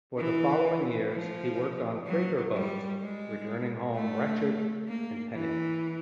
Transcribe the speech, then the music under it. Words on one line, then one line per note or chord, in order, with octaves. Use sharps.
For the following years he worked on freighter boats, returning home wretched and penniless.
E3
F3
F#3
G3
G#3
A3
A#3
E3